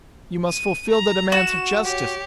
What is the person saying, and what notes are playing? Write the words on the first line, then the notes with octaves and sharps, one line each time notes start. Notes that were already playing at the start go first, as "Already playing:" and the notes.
You must fulfil the demands of justice.
D#7
A#5
F#4 E7
G4 C#5